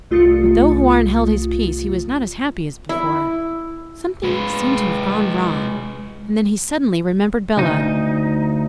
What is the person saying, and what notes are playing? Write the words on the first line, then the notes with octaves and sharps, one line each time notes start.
But though Houarn held his peace, he was not as happy as before. Something seemed to have gone wrong, and then he suddenly remembered Bellah.
C2 A3 F4 D#6 A6 C#7
E4
G#3 B4
D2 D#4